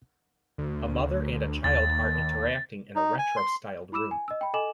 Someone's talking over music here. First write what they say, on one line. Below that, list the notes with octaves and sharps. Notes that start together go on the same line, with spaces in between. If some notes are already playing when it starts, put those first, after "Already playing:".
A mother and a child are interacting in a retrostyled room.
D2
D#2 A6
D#4
G#5
C6
E4 B5 D6 E6 E7
G#5
D#5 E6
G5 B5
A4 D#5 G#5 D6 E7 F#7